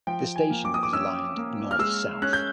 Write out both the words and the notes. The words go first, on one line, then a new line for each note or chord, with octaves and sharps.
The station is aligned north-south.
F3 G5
G#5
A#3
D6
D#6
D6
C#4 E6
A#3
F6
G#3 E6
C#4 F#6
G6